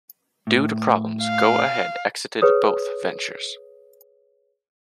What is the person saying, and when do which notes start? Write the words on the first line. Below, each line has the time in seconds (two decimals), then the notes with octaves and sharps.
Due to problems, Go-Ahead exited both ventures.
0.47 A2
1.23 F5
2.42 G#4 B4 C#5 D#6